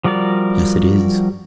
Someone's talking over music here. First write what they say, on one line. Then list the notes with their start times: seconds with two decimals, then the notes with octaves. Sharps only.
"Yes, it is."
0.04 F3 G3 F#4 A#4 D5